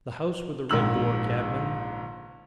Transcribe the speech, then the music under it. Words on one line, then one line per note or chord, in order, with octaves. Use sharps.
'The house with the red door, cabmin.
A#1 G#2 E6 F#7